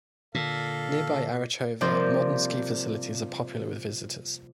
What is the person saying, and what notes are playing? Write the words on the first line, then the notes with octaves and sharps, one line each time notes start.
Nearby Arachova, modern ski facilities are popular with visitors.
A#2 D3 A4 F5
C3 F3 G3 A#3 C4